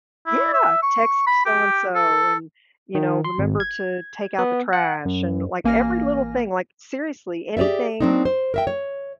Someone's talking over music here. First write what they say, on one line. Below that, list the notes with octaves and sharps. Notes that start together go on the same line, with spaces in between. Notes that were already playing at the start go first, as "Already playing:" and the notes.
Yeah. "Text so and so," and, you know, "remember to take out the trash," and, like, every little thing, like, seriously, anything
E4
E5
C#6
B5
G4
A4
D#3
C6
G#1
G#6
B3
F#5
F#2
A1 A#3 G#5 F6 A#6
G4 G#4 C5 D5 E5
F#3 A#3 C4 D4 D#4
C5
A#4 E5 G5
C#5